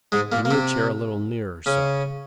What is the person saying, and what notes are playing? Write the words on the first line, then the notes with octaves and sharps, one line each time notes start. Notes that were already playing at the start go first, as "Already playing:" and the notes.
Bring your chair a little nearer--so.
G#2 G#3
A#2 A#3
A#3
C3 C4
C#3 C#4